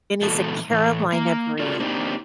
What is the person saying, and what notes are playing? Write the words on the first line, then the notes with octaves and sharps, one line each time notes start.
and he's a Carolina breed.
A#2 E3 G#3 B3 F#4 A4
A2 E3 A3
A#3
F4 F#4 A4 A#4 D5
A#3 C4 D4 D#4 F4 G4